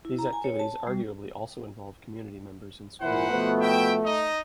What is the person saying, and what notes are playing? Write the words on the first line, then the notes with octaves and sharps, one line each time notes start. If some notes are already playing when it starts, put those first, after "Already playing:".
These activities arguably also involve community members in school life.
E4
A#5
G#5
C#5
A5
G3
A#2 E3 B4 C5 F#5
B2 F3 A3 B3
E5 G5
D#4 D#5